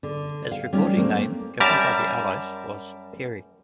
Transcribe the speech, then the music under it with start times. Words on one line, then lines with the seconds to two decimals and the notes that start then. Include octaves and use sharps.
Its reporting name given by the Allies was "Perry".
0.03 D3
0.51 F5
0.73 G3 A3 C#4 D#4 F4
0.96 A3 A#3 C4
1.60 F#2 G3 A#4 E5 A5